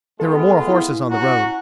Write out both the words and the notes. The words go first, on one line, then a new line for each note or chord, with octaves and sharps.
There were more horses on the road.
G#3 B3 F4 A4
E4
C#4 F#4 F#5 A#5